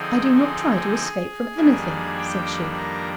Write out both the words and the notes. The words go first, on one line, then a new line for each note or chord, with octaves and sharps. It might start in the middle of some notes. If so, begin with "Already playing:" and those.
'I do not try to escape from anything,' said she.
Already playing: D3 F3 C4 D#4 G#4 G#5
G#4 G#5
F2 D#3 G3 A#3 D4
G4 G5
A#4 A#5